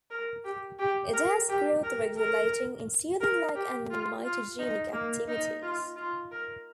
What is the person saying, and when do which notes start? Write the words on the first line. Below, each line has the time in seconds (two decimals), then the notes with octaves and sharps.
It has growth-regulating, insulin-like and mitogenic activities.
0.10 A#4
0.45 G4
0.79 G4
1.13 A#4
1.49 G4
1.83 A#4
2.17 A#4
3.21 A#4
3.55 G4
3.90 F4
4.24 F4
4.59 D#4
4.93 A#3
5.28 D#4
5.62 F4
5.96 F4
6.31 A#4